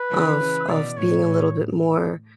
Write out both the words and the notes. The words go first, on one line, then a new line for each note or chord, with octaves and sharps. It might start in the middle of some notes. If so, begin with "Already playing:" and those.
of of being a little bit more,
Already playing: B4
C#3 E3
C#3
B2 D5
A2 C#5
A2